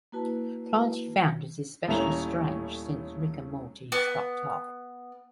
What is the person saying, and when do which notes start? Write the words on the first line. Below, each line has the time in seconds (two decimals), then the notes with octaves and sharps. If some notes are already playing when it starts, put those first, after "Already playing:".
Plante found it especially strange since "Rick and Morty" is "fucked up".
0.12 A#3 E4 F#4 B4 A5
1.87 D#1 A2 A3 C#4 A#5 F7
3.92 B3